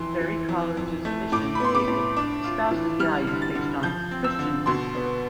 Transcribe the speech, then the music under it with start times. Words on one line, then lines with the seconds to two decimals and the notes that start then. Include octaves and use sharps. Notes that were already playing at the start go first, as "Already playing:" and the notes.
Berry College's mission statement espouses values based on Christian principles.
Already playing: F2 E3 C6
0.21 E3
0.49 F2
0.77 F2
1.05 A3
1.32 A2 D6
1.55 B5
1.60 B3 C6
1.75 D6
1.88 A2
2.16 D4 D6
2.44 F4
2.71 E3
2.99 G3 F6
3.27 D3
3.42 A6
3.55 D3
3.83 F3 G6
4.11 C4
4.24 E6
4.39 D3
4.66 B2 C6
4.95 B3